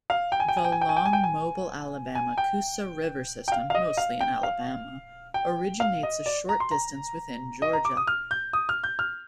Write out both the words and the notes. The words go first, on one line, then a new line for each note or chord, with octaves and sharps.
The long Mobile-Alabama-Coosa River system, mostly in Alabama, originates a short distance within Georgia.
F5
G5
G#5
G5
G#5
G5
G#5
G5
G#5
G5
G#5
G5
G#5
G#5
G5
G5
F5
F5
D#5
F5
G5
F5
G5
F5
D#5
D5
A#5
C6
A#5
D#5
A#5
D6
D#6
F6
G6
D#6
F6
G6
F6